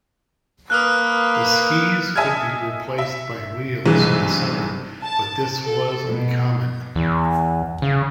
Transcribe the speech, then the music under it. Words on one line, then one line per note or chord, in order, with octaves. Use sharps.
The skis could be replaced by wheels in the summer, but this was uncommon.
A#3 B4 D#6 F6 F#6
D#5 E5 G#5 A5 F6 G#6
E5
B1 G2 C3 E3 G#3
A5
A4
B2
E2
C#3